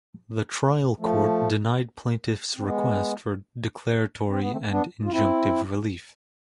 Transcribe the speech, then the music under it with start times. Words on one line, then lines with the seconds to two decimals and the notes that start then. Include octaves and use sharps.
The trial court denied plaintiffs' request for declaratory and injunctive relief.
0.99 F3 A3
2.57 C4
2.64 G#3 B3
4.29 C4
4.40 B3
4.51 A3 C4
4.70 B3 D4
5.04 F4
5.11 C4 E4